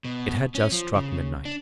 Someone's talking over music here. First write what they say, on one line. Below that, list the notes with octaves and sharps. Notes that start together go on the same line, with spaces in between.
It had just struck midnight.
B2
C#4
F3
C#3
D4